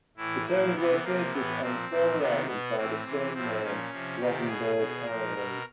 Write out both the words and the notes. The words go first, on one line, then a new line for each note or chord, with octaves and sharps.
The town is located on the former island by the same name: Rozenburg Island.
A2 E3 E4
A#2 F3 E4
C3 E3 B3
C3 F3 A#3
A2 E3 B3
A#2 F3 C4
A#2 F3
C3 D#3 B3
B2 B3
A2 E3 C4
C3 E3
A2 F3 C4
A#2 F3 C#4
C3 F3
C3 D#3 G4
B2 G#4
B2
A#2 F3 A#4
B2